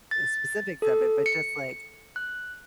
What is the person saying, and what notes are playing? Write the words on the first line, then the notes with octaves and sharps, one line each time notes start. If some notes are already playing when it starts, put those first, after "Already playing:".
uh, specifics of it, but just like
A6
A4
C#7
F#6